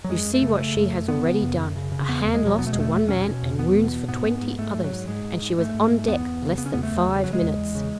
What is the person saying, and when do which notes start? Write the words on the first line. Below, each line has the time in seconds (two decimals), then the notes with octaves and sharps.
You see what she has already done--a hand lost to one man and wounds for twenty others--and she was on deck less than five minutes.
0.04 F#3
0.09 F#2 G#3
0.25 F#2
0.34 A3
0.42 C#3
0.59 C#3 A3
0.76 F#2
0.93 F#2
1.08 C#3 B3
1.26 C#3
1.43 F#2
1.59 F#2
1.76 C#3
1.92 C#3
2.08 E2 B3
2.25 E2
2.34 G#3
2.42 B2 F#3
2.58 B2 B3
2.66 A3
2.73 E2 G#3
2.80 A3
2.92 E2
3.09 B2 C#4
3.25 B2
3.42 E2
3.59 E2 B3
3.75 B2
3.92 B2
4.08 G#2 B3
4.26 G#2
4.42 G#2
4.59 G#2 A3
4.75 G#2
4.84 F#3
4.92 G#2
5.08 G#2 G#3
5.24 G#2
5.42 G#2
5.58 G#2 A3
5.74 G#2
5.91 G#2
6.08 E2 B3
6.25 E2
6.42 C#3
6.57 C#3 B3
6.66 C#4
6.74 E2 B3
6.83 A3
6.92 E2
7.08 C#3
7.24 C#3 F#3
7.33 G#3
7.42 E2
7.58 E2
7.75 C#3